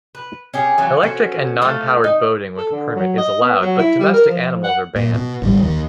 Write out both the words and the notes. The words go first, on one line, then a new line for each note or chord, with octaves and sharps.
Electric and non-powered boating with a permit is allowed, but domestic animals are banned.
B4
C#4 G4 G#4
E3 F#3 F4
C#4 F#4 A4 C5
A3 F4 A4 F5
D#4
A4
D3
F#3
D#5
B3
F#3
E4
G3
A#4
F3
F#5
A#2
B2
G#1 D3 D#3 G3
D#2 D#3